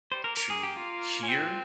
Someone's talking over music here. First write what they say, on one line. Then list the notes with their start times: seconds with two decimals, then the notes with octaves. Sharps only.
to hear
0.12 G3 C5
0.24 A#3 A#4
0.37 A#3 A#4
0.50 G#4
0.63 G4
0.76 F4
1.23 C#4
1.28 C4